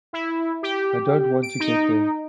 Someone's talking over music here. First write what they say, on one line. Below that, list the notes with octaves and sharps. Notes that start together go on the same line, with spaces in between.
I don’t want to get there.
E4
G4
D7
D#4